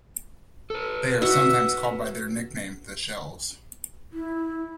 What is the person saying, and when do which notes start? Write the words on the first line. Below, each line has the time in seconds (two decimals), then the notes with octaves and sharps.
They are sometimes called by the nickname The Shells.
0.70 A4 B4
1.22 F#4 E5
4.13 E4